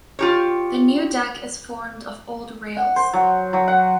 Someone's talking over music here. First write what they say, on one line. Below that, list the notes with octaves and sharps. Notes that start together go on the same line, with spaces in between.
The new deck is formed of old rails.
F4 G4 C#5
F#5
C5
F#3
F#3
F#5